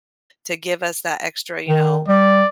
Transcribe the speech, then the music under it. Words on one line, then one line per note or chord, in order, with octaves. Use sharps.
to give us that extra, you know,
D#3
G3 D5